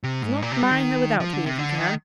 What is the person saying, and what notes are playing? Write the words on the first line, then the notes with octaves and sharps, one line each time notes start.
If not, marry her without me if you can.
C3
G#2
A#2
C3
G3
D#3
F3
D3
C3
D3
D#3